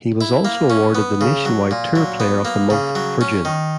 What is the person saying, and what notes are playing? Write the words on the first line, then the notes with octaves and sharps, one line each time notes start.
He was also awarded the Nationwide Tour Player of the Month for June.
E4
A#3
C#4
B3
C#3
F#3
A#2
F#3
B3
A#3
C#3
F#3
C#4
D#3